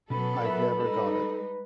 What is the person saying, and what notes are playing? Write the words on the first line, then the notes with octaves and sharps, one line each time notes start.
I’ve never got it.
B2 F#3 B3 C#4 A4 B5
A#4 B4 E5
G3 G#3 D#4 A4